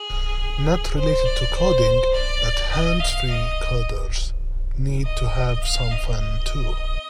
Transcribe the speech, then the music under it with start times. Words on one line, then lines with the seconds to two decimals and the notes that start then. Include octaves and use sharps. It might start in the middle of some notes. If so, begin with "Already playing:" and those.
Not related to coding, but hands-free coders need to have some fun too.
Already playing: G#4
0.96 C5
1.25 D5
1.55 C5
2.13 D5
2.72 D#5
3.00 F5
3.30 D#5
5.05 D#5
5.63 F5
5.91 D#5
6.20 D#5